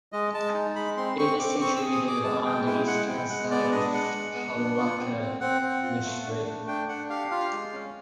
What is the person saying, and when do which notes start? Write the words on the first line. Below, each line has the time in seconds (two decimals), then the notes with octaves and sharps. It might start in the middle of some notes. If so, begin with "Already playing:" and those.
It is situated on the eastern side of Palakkad district.
0.12 G#3 D#5
0.34 G#3 A5
0.54 D#4
0.76 G#3 B5
0.97 C4 C6
1.18 C4 C#6
1.39 C4 D6
1.60 C4 C#6
1.76 E6
1.81 G#4
1.92 D#6
2.02 G#4
2.08 D6
2.24 G#3 A5
2.45 G#3 G5
2.66 E4 G5
2.87 G#3 F#5
3.08 G#3 G5
3.29 G#3 F#5
3.51 B3 D5
3.72 D4 D#5
3.93 G#3 F#5
4.14 G#3
4.35 B3
4.56 D4
4.77 F4
4.98 C4
5.20 C4
5.41 C4 F#5
5.62 C4
5.83 F4
6.04 A3
6.25 D4
6.46 A3
6.67 D4 G5
6.89 D4 F#5
7.10 G4 F5
7.31 F4 F5
7.52 G#3
7.73 C#4